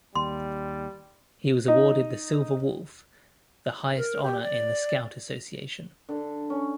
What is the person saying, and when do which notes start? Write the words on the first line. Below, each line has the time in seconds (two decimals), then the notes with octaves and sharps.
He was awarded the Silver Wolf, the highest honour in The Scout Association.
0.16 D#2 G3 C6
1.68 D#4
3.97 A#4
4.23 G4
4.42 D5
6.09 D3
6.50 C#4